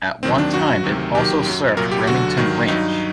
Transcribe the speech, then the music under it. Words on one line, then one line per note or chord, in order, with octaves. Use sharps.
At one time it also served Remington Ranch.
D#2 D#3 F#3 C4
D4
G2 F#3 F#4
D2 C3 D#3 F#3
D#2 D#3 F#3 G4
F#2 F#3
C2 A#2 F#3 A#4
G4
D2 D3 F#3 F#4
G2 D#3 F#3
G2 F#3 D#4